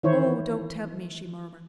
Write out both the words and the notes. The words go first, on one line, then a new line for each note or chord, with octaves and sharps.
"Oh, don't tempt me!" she murmured.
D#3 E3 E4 C5 C#5